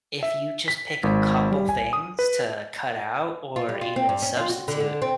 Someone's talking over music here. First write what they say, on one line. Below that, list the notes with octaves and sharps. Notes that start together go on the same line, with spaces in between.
if you just pick a couple things to cut out or even substitute,
E5
B6
G#1
G3
G#5
D#6
B4
F4
G3
F4
C4
G2
C#4
F4
F#4
D3
D3
C4